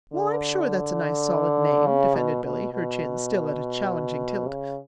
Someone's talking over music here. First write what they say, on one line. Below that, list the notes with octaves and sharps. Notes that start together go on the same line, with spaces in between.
"Well, I'm sure that's a nice, solid name," defended Billy, her chin still at a challenging tilt.
D3
C#3
B2
B2
B2
C#3